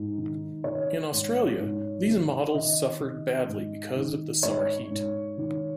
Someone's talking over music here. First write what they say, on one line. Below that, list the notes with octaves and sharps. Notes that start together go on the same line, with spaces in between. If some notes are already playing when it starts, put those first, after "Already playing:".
In Australia, these models suffered badly because of the summer heat.
Already playing: G#2
D#3
D#3 C#5
G#2
G#2
D#3
D#3 D#5
D#3
G#2
D#3
G#2 C#5
G#2
D#3